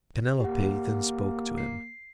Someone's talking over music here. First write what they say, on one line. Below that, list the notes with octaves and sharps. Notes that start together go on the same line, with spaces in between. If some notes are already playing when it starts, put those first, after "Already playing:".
Penelope then spoke to him.
A#3 G4 F#5
C7